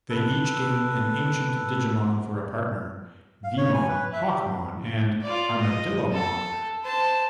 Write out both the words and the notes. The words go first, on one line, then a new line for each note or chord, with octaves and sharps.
They each gain an ancient Digimon for a partner: Veemon, Hawkmon and Armadillomon.
A4 B4
F5
C#5
G#5
B4
E5
G4
F4 D5
D#5
A4
C5 A5